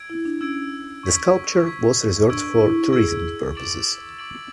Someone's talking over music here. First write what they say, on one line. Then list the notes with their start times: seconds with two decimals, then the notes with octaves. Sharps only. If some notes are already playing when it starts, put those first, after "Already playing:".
The sculpture was reserved for tourism purposes.
Already playing: E6 G#6 D7
0.10 E4
0.25 D4
0.41 C#4 E6 G#6 D7
1.03 C#6 G#6 B6
1.66 C#6 G#6 B6
2.29 D4 C#6 E6 G#6 D7
2.61 E4
2.92 G#4 C#6 E6 G#6 D7
3.55 D6 A6 D7 F#7
4.18 D6 A6 D7 F#7